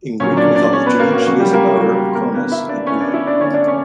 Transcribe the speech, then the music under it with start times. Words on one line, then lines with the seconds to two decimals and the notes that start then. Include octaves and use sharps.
In Greek mythology, she is a daughter of Cronus and Rhea.
0.20 A#2 F#3 A#3 C#4 C#5
0.37 D4 D5
0.55 D4 D5
0.73 C#4 C#5
0.86 B3 B4
0.99 A#3 A#4
1.13 F#4
1.26 C#3 F#3 A#3 F#4
1.39 G3 G4
1.53 A#3 A#4
1.76 F#4
1.80 G3 G4
2.15 A#3 A#4
2.34 D3 A#3 B3 B4
2.52 E4 E5
2.69 D4 D5
2.86 C#4 C#5
3.00 D4 D5
3.14 E4 E5
3.27 D4 D5
3.40 D3 A#3 C#4 C#5
3.54 D4 D5
3.68 C#4 C#5